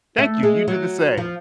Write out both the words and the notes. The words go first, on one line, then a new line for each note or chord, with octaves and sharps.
Thank you, you do the same.
A3
G#3
F#3
F3